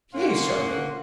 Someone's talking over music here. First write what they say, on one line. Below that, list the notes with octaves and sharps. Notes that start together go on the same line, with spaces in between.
She is charming.
A#2 A#3 C#4 F#5 C6